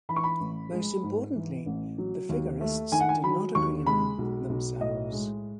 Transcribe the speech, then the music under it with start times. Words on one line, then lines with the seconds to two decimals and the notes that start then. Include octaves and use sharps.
Most importantly, the Figurists did not agree among themselves.
0.09 E3 B5
0.16 C#6
0.24 B5
0.40 A1
0.72 G#3
1.03 G#2
1.35 E3
1.66 A1
1.98 F#3
2.29 D#2
2.61 A3
2.92 D#3 G#5
3.00 F#5
3.09 G#5
3.23 F#3 B5
3.55 D#2 C#6
3.86 G#3 B5
4.18 B1
4.49 B1
4.81 A2 D#5
5.12 G#3